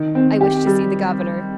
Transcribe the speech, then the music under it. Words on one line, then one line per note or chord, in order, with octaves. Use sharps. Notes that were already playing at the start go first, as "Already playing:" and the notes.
"I wish to see the governor."
Already playing: D#3
C4
G4
G3